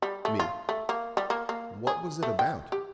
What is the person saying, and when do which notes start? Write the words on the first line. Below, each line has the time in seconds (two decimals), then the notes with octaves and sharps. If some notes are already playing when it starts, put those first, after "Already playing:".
ME: What was it about?
0.02 G3
0.25 A3
0.39 F4
0.69 A3
0.89 A#3
1.17 G3
1.30 A#3
1.49 A#3
1.87 G#4
2.23 A3
2.39 G5
2.72 G4